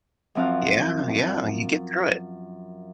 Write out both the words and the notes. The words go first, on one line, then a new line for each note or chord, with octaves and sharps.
Yeah, yeah, you get through it.
F#2 F3 C4 F4 F5 F#5